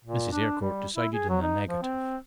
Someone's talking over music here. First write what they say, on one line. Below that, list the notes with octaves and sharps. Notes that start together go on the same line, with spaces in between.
Mrs. Eyrecourt decided in the negative.
A#2
D4
G3
E4
G#4
F#3
D#4
F3
C4